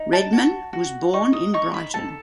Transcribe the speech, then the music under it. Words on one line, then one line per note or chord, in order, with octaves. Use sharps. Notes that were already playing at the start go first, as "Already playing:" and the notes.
Redman was born in Brighton.
Already playing: D#4
A5
F#4
F#4
D#4 C#6
D#6
D#4 C#6
B5
A4 A5